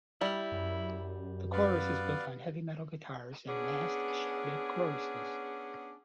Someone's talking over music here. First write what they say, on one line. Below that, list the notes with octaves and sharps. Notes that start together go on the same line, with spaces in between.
The chorus is built on heavy metal guitars and massed, shouted choruses.
G3 E4
F#2
B3 B4 D5 F5
B3 C#4 D4 G#4